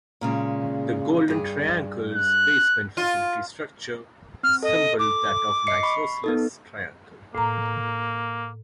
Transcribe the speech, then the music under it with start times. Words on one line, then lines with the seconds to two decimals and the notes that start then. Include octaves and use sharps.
The Golden Triangle's basement facility structure resembled that of an isosceles triangle.
0.21 A#2 C#3 G#3
1.28 G2 G#4
2.15 F#6
2.97 F4
4.43 C4 F6
4.63 A4 D#5
4.99 D6
5.67 D#5 C7 C#7
5.83 B5 C#6 C7
6.24 B3 D#4 A4
7.35 A2 A#3 A#5